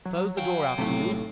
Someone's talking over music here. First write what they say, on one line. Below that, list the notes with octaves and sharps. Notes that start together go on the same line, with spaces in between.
'Close the door after you.
F#3
C#5 F5 G5 G#5
B1 A2 C3 A3